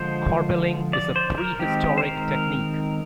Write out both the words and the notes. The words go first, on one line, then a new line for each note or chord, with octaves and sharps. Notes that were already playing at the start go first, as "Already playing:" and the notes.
Corbelling is a pre-historic technique.
Already playing: D3 F3 G#3 C5
D5
C5
A#4
D#3 G#3 C4 G4
C5
A#4